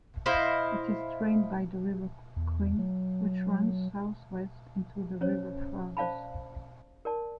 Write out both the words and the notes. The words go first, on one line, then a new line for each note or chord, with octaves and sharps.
It is drained by the River Quin, which runs southwest into the River Fergus.
E4 C5 D#5 F5
E2
F#3
C#4 C5 C#5
C5 D5 F5 A5 B5
A#4 D5 A5